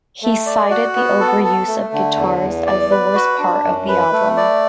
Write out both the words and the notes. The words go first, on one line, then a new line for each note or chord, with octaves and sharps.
He cited the overuse of guitars as the worst part of the album.
A3
D5
F#4
B3
A4
A4
A3
D3
E2
E2
D5
B4
F#4
D4
F#2
B4
A3
D5